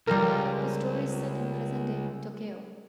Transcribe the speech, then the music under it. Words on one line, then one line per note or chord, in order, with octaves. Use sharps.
The story is set in present-day Tokyo.
C#2 G3 A#4